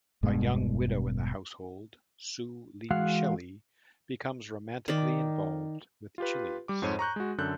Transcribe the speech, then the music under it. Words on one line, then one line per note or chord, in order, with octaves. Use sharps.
A young widow in the household, Sue Lee Shelley, becomes romantically involved with Chiles.
E1 G2 B2 G#3
E3 G#3 F#4 F5 F#5
D#3 D5
F4 G4 B4
G3 D6
F2 G#2 C5 C#5 D#7
A#5 C#6 F#6 G6
G#3 F#4
F#2 D3 A4 F#6 G6